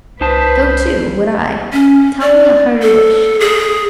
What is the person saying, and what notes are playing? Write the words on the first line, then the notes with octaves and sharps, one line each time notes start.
So, too, would I. Tell me a harder wish.
C2 D#4 B4 C5 A5
C#4
D5
A4
G#4